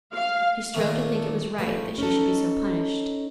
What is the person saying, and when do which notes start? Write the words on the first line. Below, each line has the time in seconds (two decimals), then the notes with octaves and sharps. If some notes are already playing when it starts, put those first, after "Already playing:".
She strove to think it was right that she should be so punished.
0.13 F5
0.75 A#2 D#3 A3
1.15 A4
1.59 F3 G3 A3 B4
1.98 C#4 D#4 A4